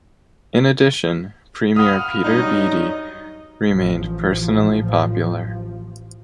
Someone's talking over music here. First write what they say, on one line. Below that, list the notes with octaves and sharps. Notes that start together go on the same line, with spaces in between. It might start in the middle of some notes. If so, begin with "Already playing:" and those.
In addition, Premier Peter Beattie remained personally popular.
F5 F#5 B5 D#6 F6
G2 F#3 D#4 C#5 D#5
A1 F3